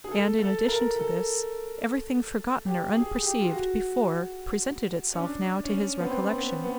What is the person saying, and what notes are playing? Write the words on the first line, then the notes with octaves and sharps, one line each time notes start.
And, in addition to this, everything forgotten or unperceived before presented itself now to his recollection.
G#4
A4
A4
A#4
A4
G4
G#4
G4
F4
F#4
C#4
D4
C#4
B3
C4
B3
B3